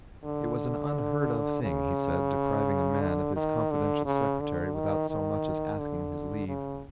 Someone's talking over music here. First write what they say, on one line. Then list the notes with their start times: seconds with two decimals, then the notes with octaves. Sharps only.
It was an unheard-of thing, he said, depriving a man of his confidential secretary without so much as asking his leave.
0.24 D3
1.62 C#3
3.01 D3
3.36 D#3
3.71 D3
4.06 C#3
4.40 D3
4.74 D#3
5.10 D#3
5.79 D3
6.48 C#3